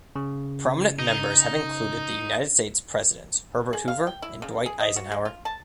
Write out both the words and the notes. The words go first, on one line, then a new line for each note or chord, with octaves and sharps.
Prominent members have included the United States Presidents Herbert Hoover and Dwight Eisenhower.
C#3
D#4
G#4
F5
G5
E4
C#3
G#4
D#5
F#4
G#3
F4
A5